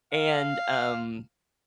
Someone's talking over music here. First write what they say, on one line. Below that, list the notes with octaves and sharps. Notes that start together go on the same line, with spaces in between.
And, um,
F5